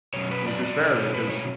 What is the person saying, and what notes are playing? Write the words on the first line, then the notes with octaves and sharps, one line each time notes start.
Which is fair, because
B2 F#3 C#4 C#5
B4
D5
D5
B2 F#3 C#4 D5
C#5
B4
C#5